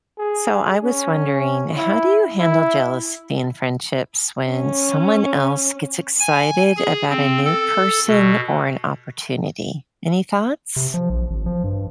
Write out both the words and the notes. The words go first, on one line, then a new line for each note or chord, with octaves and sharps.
So, I was wondering, how do you handle jealousy in friendships, when someone else gets excited about a new person or an opportunity? Any thoughts?
G#4
C#4
E4
E4
C#4
G#5
G#4
C4
A4
B2
C3
F3
A#1
G#1
F3
G2